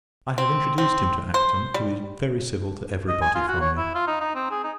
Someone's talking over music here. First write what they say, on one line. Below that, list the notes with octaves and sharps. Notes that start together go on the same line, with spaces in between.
I have introduced him to Acton, who is very civil to every body from me.
C4
C4
C5
G3
D#5
G#5
F4
F#4
C#5
E4
F4
D#4
D#4
C4
G#4
D#4